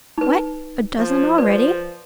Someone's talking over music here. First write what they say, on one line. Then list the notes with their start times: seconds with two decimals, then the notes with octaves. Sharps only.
What! a dozen already?
0.18 D#4 B4
0.99 F3
1.38 F3 B4 D5